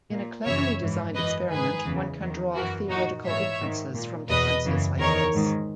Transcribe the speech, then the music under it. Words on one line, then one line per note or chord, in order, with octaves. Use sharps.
In a cleverly designed experiment, one can draw theoretical inferences from differences like this.
A#2
F#2 C#3 E3 C#5 E5
G#2 E3
F#2 E3 B4 D#5
G#2 D#3 G#4 B4
E2 C#3 E3
E2 D#3
F#2 E3 F#4 A#4
A#2 D#4 F#4
G#2 E3 C#5 E5
G#2 D#3
A#2
E2 B2 B4 D#5
F#2 C#3 E3
E2 D#3 A#4 C#5
G#2 D#3